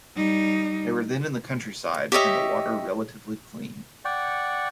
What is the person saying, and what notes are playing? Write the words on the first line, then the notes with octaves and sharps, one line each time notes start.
They were then in the countryside, and the water relatively clean.
G3 D#4
G4 C#5 D#5 E5
D5 F#5 G5 C#6